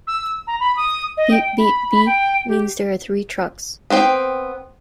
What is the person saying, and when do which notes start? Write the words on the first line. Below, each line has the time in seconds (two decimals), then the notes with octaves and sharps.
"B-B-B" means there are three trucks.
0.07 E6
0.47 A#5
0.60 B5
0.77 D#6
1.17 D#5
1.31 G5
1.58 B5
1.90 B5
2.07 G5
2.48 G4
3.90 B3 C4 C5 G5